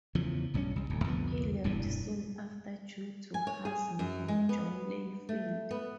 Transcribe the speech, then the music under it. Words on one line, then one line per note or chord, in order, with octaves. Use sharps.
He left soon after due to hazing by John Layfield.
E2 C#3 F3
B1 G2 G#3 C#4
C2
D1 D2
C2 F2 D3 B3
E1 G2 A#2 E3
G#5
C#5
G#4
F#2
G#3
B3
A3
B3